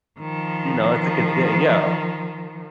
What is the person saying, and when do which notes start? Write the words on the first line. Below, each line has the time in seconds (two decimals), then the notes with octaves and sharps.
you know? It's a like a d yeah, uh
0.19 D#3 F3